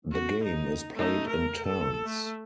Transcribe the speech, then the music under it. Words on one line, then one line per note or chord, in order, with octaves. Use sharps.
The game is played in turns.
F#4
D#4
A3 D#4
A#4
A4
A3